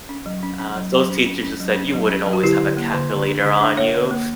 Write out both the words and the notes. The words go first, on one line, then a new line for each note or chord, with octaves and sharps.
Uh, those teachers just said, "You wouldn't always have a calculator on you."
C#4
F#3
C#4
C#4
F#3
F#3
C#4
C#4
C#4
F#3
C#4
F#3
C#4
F#3
F#4
D3 E4 G4
D3
A#3
D3
D3
D4
D3
D4
A#3 C#5 E5
D3
A#3